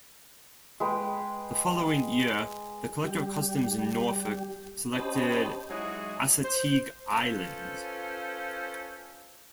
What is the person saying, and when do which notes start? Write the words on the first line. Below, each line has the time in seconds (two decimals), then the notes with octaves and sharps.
The following year, the Collector of Customs in Norfolk selected Assateague Island.
0.80 G#3 B4 G5
3.04 G3 G4
4.96 C#4 G4 C5 D#5 A5 B5
5.69 F#3 G#3 D#4 E4 F#4 G#4
6.43 C5
7.12 C#4 F4 A4 B4 C5